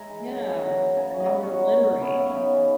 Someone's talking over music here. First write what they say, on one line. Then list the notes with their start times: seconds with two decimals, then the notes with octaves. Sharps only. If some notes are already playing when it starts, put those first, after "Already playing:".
Yeah, and now you're littering.
Already playing: G#3 E5 G#5 A#5
0.09 E3
0.27 F#2 F#5 A#5
0.44 E3 E5 G#5
0.62 F#2 F#5 A#5
0.79 E3
0.96 C#3 E5 G#5
1.14 F#3
1.20 D#5 F#5
1.31 B3 F#5
1.43 C#5 E5
1.49 F#3
1.66 F#3
1.83 F#3
2.01 B3 C#4 E4
2.19 C#3 C#4 E4
2.36 B3 D#4
2.54 E3